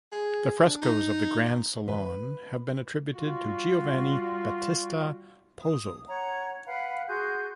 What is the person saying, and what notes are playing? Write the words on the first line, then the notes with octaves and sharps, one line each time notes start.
The frescoes of the Grand Salon have been attributed to Giovanni Battista Pozzo.
G#4
D4
D#4
B4
G3 F4 F#4
D#6
C#5 F#5 A#5
B4 F5 F#5 B5
F#4 G#4 C6 G6